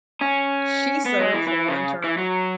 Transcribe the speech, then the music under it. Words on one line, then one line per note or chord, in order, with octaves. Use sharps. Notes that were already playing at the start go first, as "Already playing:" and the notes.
She served for one term.
C#4
B3
G#3
E3
E3
C#3
E3
F#3